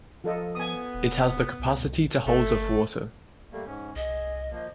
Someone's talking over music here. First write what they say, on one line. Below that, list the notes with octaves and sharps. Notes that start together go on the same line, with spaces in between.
It has the capacity to hold of water.
F3 F4 A4 D#5
B3 G#5 D#6
D#1
C2
G1 A3
G3 A3 A#3
G#2 C#4
C2 G#4 D#5
F3 A#3